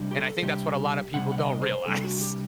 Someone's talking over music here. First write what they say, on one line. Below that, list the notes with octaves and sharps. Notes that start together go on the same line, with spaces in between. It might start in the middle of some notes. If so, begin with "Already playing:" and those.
and I think that's what a lotta people don't realize,
Already playing: C3 G3 D4
G4
A4
A4
C3 G3 D4 G4
C3 G3 D4 F#5
F#5
D#5
C5
C3 G3 D4 A4
F#4
G4